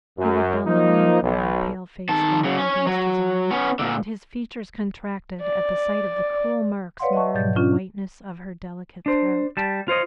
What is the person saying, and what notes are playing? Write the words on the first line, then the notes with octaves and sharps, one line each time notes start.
He looked down longingly on the pale face lying against his arm, and his features contracted at the sight of the cruel marks marring the whiteness of her delicate throat.
F#2
F3 A#3 D#4
B1
D#3 A5
C#3 F#3
C#4 C#5
F#3
B3 C#4
A#2 D3
D5
B4 C#5 D5 F5 F#5 C6
D#5 E5 F#5 A5 C#6
G#2 B2 F#3 D5 G6 A6
C#4 D4 F4
D4 C5
G3 A5
F4 C5 C#5 D#5